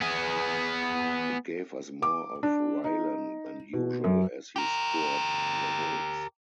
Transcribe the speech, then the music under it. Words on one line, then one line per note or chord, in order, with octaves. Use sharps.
It gave us more of Raylan than usual as he scoured the hills.
B3 G#4
D6
D4
D#4
B2
F#2
G4 A#4